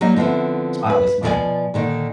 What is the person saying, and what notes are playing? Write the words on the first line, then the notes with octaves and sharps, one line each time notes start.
Spotless Mind.
F#3 G3 A#3 D#4 D#5
D3 F3 B3 C4 E4
B4
B2 F3 A#4 B4 D5 G#5
A#2 D3 D#3